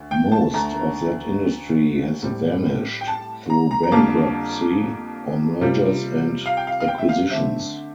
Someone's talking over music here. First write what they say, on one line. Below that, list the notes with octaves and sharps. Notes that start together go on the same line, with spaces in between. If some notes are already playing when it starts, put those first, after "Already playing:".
Most of that industry has vanished through bankruptcy or mergers and acquisitions.
Already playing: D2
G5
A5
D2 D3 A3 A#5
A2 G3 C4
G5
A5
A#5
A#5
A#5
F2 D3 G3 A#3 A5
C3 G3 C4 F4
F5
G5
F5
F5
G5
E5
F5
D3 A3 C4 E5